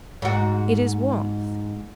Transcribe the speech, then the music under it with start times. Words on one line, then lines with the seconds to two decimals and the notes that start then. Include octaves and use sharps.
It is warmth.
0.22 G#2 F#4